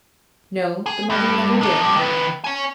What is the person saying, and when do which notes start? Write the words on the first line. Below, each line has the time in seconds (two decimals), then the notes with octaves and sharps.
No, the mother never did.
0.86 G#4
1.10 G2
1.61 D4 D#4
1.80 F3 G3
1.96 D#3 B4
2.44 C#5 G#5